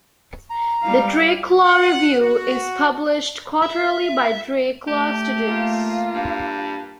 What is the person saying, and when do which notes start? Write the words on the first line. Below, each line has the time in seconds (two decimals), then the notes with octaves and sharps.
The "Drake Law Review" is published quarterly by Drake Law students.
0.50 A#5
0.82 G3 F5
1.64 F#5
2.21 F#4
3.62 E5
4.87 A3 G4
5.43 A#3 F4
6.14 G2